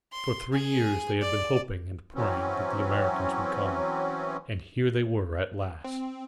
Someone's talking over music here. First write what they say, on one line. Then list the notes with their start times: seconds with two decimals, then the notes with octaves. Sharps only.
For three years they had been hoping and praying that the Americans would come--and here they were at last!
0.13 C6
0.53 G#4 G#5
1.22 D5
2.14 E3 F#3 C4 C#4
5.84 C4